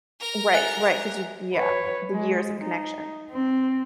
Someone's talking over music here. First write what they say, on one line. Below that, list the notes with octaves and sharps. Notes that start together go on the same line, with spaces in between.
Right, right, 'cause you yeah, the years of connection.
A#4 A#5
E5 G#5 F#6
B4 C#5
G#3
D#4
C4